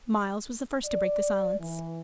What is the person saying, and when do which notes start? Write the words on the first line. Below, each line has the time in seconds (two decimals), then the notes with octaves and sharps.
Myles was the first to break the silence.
0.85 D5
1.59 E3